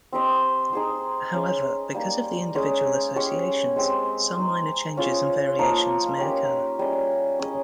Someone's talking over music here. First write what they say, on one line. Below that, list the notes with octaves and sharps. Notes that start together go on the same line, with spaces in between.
However, because of the individual associations, some minor changes and variations may occur.
C4 G4 C5 D#5
D#4 G#4 C5
C#4 G#4 D#5
G3 A#3 D#4
G#3 C#4 G#4
G#3 C#4 G4 C#5
G#3 C4 G4
D#4 G#4 C5
C#4 F4 G#4 C5
F3 A#3 D#4
C#4 G4 A#4
G3 C#4 G#4 D#5
C#4 G#4 D#5